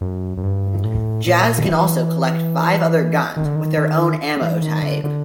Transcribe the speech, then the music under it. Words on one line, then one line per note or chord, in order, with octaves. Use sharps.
Jazz can also collect five other guns with their own ammo type.
F#2
F#2
G2
A2
A#2
E3
D#3
D3
D#3
D#3
E3
D#3
D3
D3